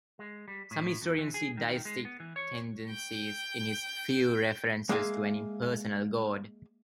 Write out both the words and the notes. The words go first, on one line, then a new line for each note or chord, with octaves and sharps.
Some historians see "deistic tendencies" in his few references to an impersonal God.
G#3
G3
A2
E2
E3
G#4
D#3
G#3
B3
E3
C#5
G5 G6
G#3 A#3 E5 F5 G5 G#5